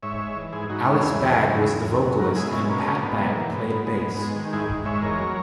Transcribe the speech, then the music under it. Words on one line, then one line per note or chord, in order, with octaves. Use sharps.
Alice Bag was the vocalist and Pat Bag played bass.
G#2 C#5 E5
G#3
E3
G#2 E4 G#4
G#2 D#4 F#4
G#3 C#4 E4
F#4
E2 E4 G#4
F#3
C#3
E2
E2
F#3
B2
B2 F#4 A#4
G#3 E4 G#4
G#3 C#4 E4
B2 A#3 C#4
B2 A#3 C#4
G#2 B3
G#3 A#3
E3 A#3
G#2 B3
G#2
G#3
G#2
G#3
D#3
G#2 E4 G#4
G#2
G#3 C#5 E5
E2 A#4 C#5
F#3